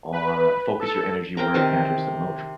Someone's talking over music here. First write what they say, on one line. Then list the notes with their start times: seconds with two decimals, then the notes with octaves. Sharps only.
on focus your energy where it matters the moch
0.12 B4
0.80 A4
1.37 C4 A#4 G5 A#5
1.54 C3 D#3 A5